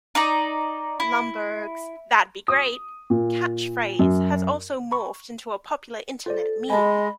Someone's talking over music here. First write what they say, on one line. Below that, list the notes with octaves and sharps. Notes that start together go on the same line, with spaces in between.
Lumbergh's "that'd be great" catchphrase has also morphed into a popular internet meme.
D#4 D5 A#5
E4
D#6
A#2
F#2
A#5 B5 C#6
F4 A4 C5 D5
G#3 D#5 G#5 A5 B5